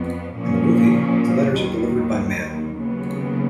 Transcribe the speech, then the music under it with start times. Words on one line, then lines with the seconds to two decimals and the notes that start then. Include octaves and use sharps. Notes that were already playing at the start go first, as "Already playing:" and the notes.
In the movie, the letters are delivered by mail.
Already playing: F2 F3 B3
0.35 A#2 F3 A#3 C#4
1.55 D#2 D#3 F#3
2.75 D#2 C#3 F#3 B3